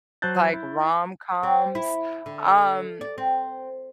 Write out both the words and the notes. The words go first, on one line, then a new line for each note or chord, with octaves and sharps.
Like rom-coms? Um,
F#3 C5 A5 F#6 G6 A6
E4
C4
E4
D3
D5
C4